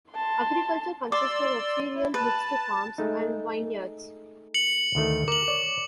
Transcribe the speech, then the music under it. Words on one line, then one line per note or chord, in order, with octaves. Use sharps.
Agriculture consisted of cereal, mixed farms and vineyards.
A5 C6
D5 C6 D6 E6
E4
B4 A5
G#3 A3 D#4
C#7 F#7
D2 D#3 A3
A#4 D6 F#7
C#5 D5